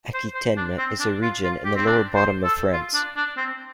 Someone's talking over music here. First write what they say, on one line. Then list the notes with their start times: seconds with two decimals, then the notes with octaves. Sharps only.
Aquitaine is a region in the lower bottom of France.
0.14 C5
0.35 C5
0.57 D4
0.78 C4
1.00 D4
1.22 F4
1.44 F4
1.65 G4
1.76 C4
1.87 D4
2.15 C5
2.44 A4
2.73 F4
2.94 D4
3.17 D4
3.37 C4